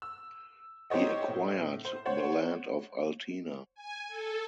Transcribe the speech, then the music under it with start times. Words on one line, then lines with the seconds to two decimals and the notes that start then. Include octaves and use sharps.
He acquired the Land of Altena.
0.02 E6
0.90 D#4 G4 C5 C#5 D#5
1.28 A2
1.85 C5
2.05 C5 C#5 F#5
3.75 G#5
4.08 A4